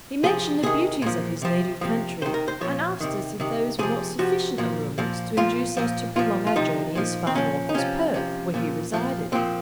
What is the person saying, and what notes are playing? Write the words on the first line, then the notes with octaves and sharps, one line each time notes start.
He mentioned the beauties of his native country and asked us if those were not sufficient allurements to induce us to prolong our journey as far north as Perth, where he resided.
C3 F3 G#4
C3 D#3 G#4
A#2 F3
C3 F3
C3 F3
C3 D#3 C5
A#4
C5
A#2 F3 C#5
C3 D#3
C3 D#3
C3 F3 G#4
C3 F3 F#4
A#2 F3
A#2 F3
A#2 F3 F4
A#2 F3
A#2 F3 F4
F4
C3 F3 D#4
A#2 F3
C4
A#2 F3 C#4
D#4
C3 F3 C#4
C3 F3
A#2 F3
A#2 F3
A#2 F3 C4